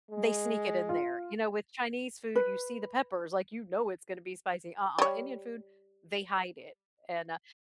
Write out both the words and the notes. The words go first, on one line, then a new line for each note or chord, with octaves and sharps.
they sneak it in there. You know, with Chinese food, you see the peppers, like, you know it's gonna be spicy. Uh-uh, Indian food; they hide it and, uh
G#3
F4
B4
G3 C#5